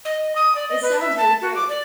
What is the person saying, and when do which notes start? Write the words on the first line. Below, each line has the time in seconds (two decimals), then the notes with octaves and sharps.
It sounds really great.
0.05 D#5
0.36 D#6
0.55 D5
0.69 D#5
0.83 B4
1.01 E5
1.18 A5
1.41 F#4
1.55 D6
1.69 D5